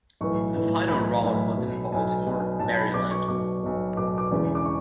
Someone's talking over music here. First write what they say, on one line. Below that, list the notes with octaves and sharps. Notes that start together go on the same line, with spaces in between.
The final route was in Baltimore, Maryland.
B1 A2 E3 C#6
B1 A2 E3
B1 A2 E3 B5
B1 A2 E3
B1 B2
B1 B2 G#5
B1 B2
B1 B2 A5
B5
B1 B2 D6
C#6
B1 B2 D6
B1 B2
B1 B2 D6
D6
E1 E2 C#3 E3
D6
C#6